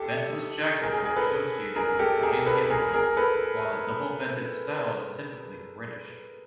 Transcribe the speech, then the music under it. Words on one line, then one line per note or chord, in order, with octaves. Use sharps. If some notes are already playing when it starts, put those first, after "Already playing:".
Ventless jackets are associated with Italian tailoring, while the double-vented style is typically British.
Already playing: G4 A4
G#4 A#4
G#4 A#4
G#4 A#4
A4 B4
G#4 A#4
G4 A4
G#4 A#4
A4 B4
G#4 A#4
G#4 A#4
A4 B4